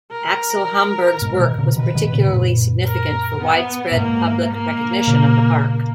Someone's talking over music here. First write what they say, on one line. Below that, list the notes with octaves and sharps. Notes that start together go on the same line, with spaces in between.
Axel Hamburg's work was particularly significant for widespread public recognition of the park.
A#4
G#2 B2
B2 D#3
A#2 C#3
B2 D#3 B4
B2 D#3
B2
A#2 C#3
G#2
F#2 A#2
A#4
B3
A#2
G#2 B2 A#3
A#3
A#2 C#3
A#3